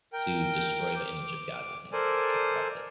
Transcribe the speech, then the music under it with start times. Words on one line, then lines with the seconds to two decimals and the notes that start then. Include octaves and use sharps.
to destroy the image of God within you, to corrupt it.
0.13 A#4 G5
0.96 D6
1.92 A4 A#4 C5 D5 G#5